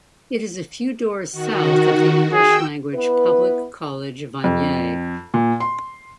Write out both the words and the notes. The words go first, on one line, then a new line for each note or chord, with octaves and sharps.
It is a few doors south of the English-language public college Vanier.
D#3 F#4
G#4 G5 E6
B3 E4 B4
F2
A#2
C6